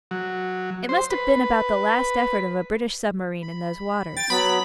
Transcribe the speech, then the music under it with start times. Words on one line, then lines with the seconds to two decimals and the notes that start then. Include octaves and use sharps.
'It must have been about the last effort of a British submarine in those waters.
0.11 F#3
0.89 C5
1.11 B4
3.42 B5
4.17 G5 A6
4.30 F#3 B3 B5